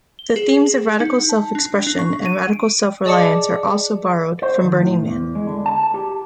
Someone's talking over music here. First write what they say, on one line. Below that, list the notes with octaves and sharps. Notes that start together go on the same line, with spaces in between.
The themes of radical self-expression and radical self-reliance are also borrowed from Burning Man.
G7
G#4
D#4
A5
D4
D4
C#6
D#7
D7
G#4 D5 D#5 A5 D6 C#7
C5
D#3
A2
E2
G#3
D3
A5
G4